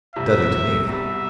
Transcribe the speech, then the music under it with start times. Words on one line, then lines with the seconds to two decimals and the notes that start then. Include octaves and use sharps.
Deadly to me!
0.15 C2 C3 G3 E5
0.87 C2 B2 G3 E5